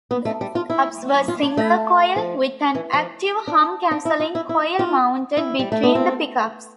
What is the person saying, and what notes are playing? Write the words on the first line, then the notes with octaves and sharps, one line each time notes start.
The pickups were single-coil, with an active hum-cancelling coil mounted between the pickups.
B3
A3
G3
F4
E4
F4
D4
A3
F3
E3
F3
D4
D4
E4
F4
E4
E4
F4
E4
G3
A3
B3
C4